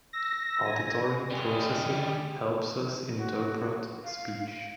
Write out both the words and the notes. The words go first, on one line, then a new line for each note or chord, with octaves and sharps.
Auditory processing helps us interpret speech.
E6 A#6
G#5
G3 G#4
F#4
F5